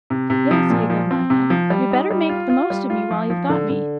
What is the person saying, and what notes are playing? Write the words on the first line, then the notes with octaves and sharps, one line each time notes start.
'Yes,' giggled Martha, 'you'd better make the most of me while you've got me.
C3
C3
F3
A#2
F3
C4
C3
F3
G3
D#4
G3
F4
F4
G3
F4
F3
F3
D3
D3